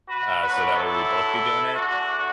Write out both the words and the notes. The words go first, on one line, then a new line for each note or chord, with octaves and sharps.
uh, so that way we'd both be doing it,
F#4 B4
E2 D3 F#3 F#4 B4
E4 A4
E2 D3 A3 D4 F#4